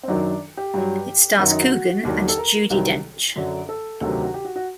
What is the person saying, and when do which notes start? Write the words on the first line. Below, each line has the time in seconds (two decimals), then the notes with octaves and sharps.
It stars Coogan and Judi Dench.
0.03 C4
0.08 F#2 D#3 F#3 D4
0.57 G4
0.74 G2 F#3
1.39 F#2 D#3 F#3 F#4
1.50 D#4
1.61 F#4
1.72 F#4
2.05 D#2 D3 F#3 G4
2.29 A4
2.38 A#4
2.70 C2 C3 D#3 F#3
3.36 F#2 D3 F#3
3.69 A4
4.01 D2 C3 D#3 F#3 A4
4.12 G4
4.23 F#4
4.34 G4
4.45 F#4
4.56 F#4